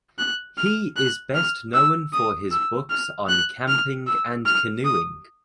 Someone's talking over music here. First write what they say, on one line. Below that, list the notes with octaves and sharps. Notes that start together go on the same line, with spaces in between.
He is best known for his books on camping and canoeing.
F#6
F6
F#6
F6
E6
D#6
E6
F6
F#6
F6
E6
F6
D#6